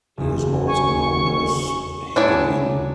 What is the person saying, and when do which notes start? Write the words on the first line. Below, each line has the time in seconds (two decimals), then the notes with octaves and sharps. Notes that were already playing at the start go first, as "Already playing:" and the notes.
He is also known as Higelin.
0.17 F#1 E2
0.67 C#5 G#5 C#6
2.16 F#3 D4 E4 G#4 C#5